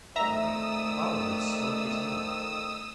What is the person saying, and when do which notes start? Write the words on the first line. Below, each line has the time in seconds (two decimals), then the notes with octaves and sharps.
Suddenly Robin Hood smote his knee.
0.16 F2 D#3 A3 D5 E5 A#5 D#6 E6